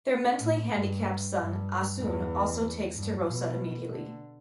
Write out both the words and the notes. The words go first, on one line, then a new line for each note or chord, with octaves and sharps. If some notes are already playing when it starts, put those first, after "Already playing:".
Their mentally handicapped son Ah Soon also takes to Rosa immediately.
A2
G2
G2
E2
G2
B2
D3